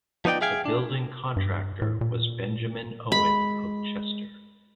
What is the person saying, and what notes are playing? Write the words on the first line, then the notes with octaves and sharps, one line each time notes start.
The building contractor was Benjamin Owen of Chester.
F3 B3 D#4 D5 G5
G#4 E5 F5 G5 G#5
D4
G2
A2
A#2
G#3 B5